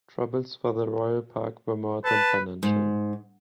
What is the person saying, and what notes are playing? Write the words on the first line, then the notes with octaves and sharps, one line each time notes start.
Troubles for the Royal Park were more than financial.
B4 A5
G#2